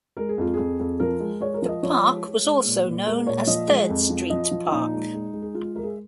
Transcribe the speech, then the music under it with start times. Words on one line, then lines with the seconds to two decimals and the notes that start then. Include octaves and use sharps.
The park was also known as Third Street Park.
0.17 G#3 A#4
0.29 G#4
0.38 F2 F4
0.54 G#4
0.59 F2
0.79 F2
1.00 F3 A#4
1.20 G#3
1.40 G#3 C#5
1.54 A#4
1.62 F3
1.68 D#5
1.83 F3 C#5
2.03 G#3
2.24 G#3
2.44 G#3
2.65 A#2
2.86 A#2
3.06 G#3 A#4
3.27 A#2 C#5
3.47 F3 D#5
3.68 G#3
3.89 F2
4.10 F3
4.30 F3 D#5
4.51 F3
4.66 F4
4.71 A#2 D#4
4.93 G#3
5.14 G#3
5.33 G#3
5.42 G#4
5.55 G#3 F4
5.75 G#3 A#4
5.83 G#4